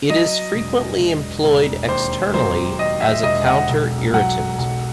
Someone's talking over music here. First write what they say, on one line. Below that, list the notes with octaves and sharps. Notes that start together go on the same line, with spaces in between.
It is frequently employed externally as a counterirritant.
F#3 D#5
E1
E1
E1
D#2 C5
F#3 C5
D#2 D#5
E5
E1 D#5
F#5
B1
F#3 F#5
B1